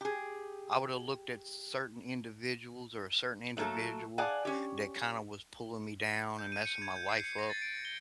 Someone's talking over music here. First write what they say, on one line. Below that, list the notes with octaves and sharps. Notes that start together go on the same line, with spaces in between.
I would've looked at certain individuals or a certain individual that kinda was pulling me down and messing my life up
G4 G#4
F#3 A3 A#3 A4
G#4 D5 F5 F#5 G#5 A5
C#4 G4
G6
D#7
C#7
G#6
G6
C7
C#7
A#6
A6
D7
G7